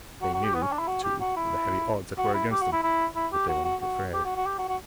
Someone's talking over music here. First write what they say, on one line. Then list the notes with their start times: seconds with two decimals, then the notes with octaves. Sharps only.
They knew, too, of the heavy odds that were against them, but they were not afraid.
0.22 F#4
0.33 F#4
0.44 G4
0.54 B3
0.62 C#4
0.71 D4
0.79 E4
0.88 F#4
1.04 G4
1.21 F#4
1.37 E4
2.18 F#4
2.34 E4
2.51 G4
2.62 F#4
2.72 E4
2.83 E4
3.16 E4
3.32 G4
3.49 F#4
3.65 F#4
3.82 F#4
4.13 G4
4.25 F#4
4.36 F#4
4.46 G4
4.58 F#4
4.69 F#4